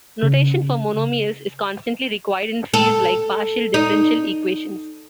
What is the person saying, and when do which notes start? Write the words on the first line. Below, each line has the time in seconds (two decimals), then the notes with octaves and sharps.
Notation for monomials is constantly required in fields like partial differential equations.
0.23 C#3
2.74 A4
3.74 D#4